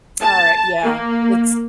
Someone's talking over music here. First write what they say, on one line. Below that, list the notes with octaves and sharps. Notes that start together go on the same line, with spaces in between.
Alright, yeah, it's
A5
A#3